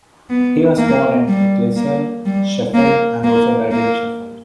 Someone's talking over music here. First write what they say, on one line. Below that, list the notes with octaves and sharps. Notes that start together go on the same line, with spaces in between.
He was born in Ecclesall, Sheffield, and also died in Sheffield.
B3
A#3
G3
A#3
G3
A#3
A#3
A#3